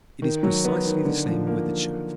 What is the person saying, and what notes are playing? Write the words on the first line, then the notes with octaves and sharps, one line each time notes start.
It is precisely the same with the Church.
D#3
F#3
B3
D#3
D3
F3
A#3